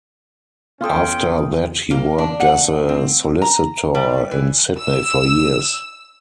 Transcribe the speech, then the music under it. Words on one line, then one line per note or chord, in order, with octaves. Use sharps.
After that he worked as a solicitor in Sydney for years.
B3 C#4 F4 A4 G5 C6 D#6
A#3
D4
F#5
C4
A#5
G3
E3
E6